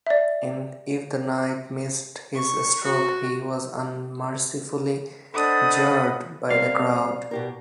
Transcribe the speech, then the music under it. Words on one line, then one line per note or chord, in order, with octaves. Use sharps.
If the knight missed his stroke he was unmercifully jeered by the crowd.
D5 E5
C#6
F#4
D4 A4 C5 D#5 F#5 B5 D#6
G3 C4 A#4 D5 F5
B2 G4 A#4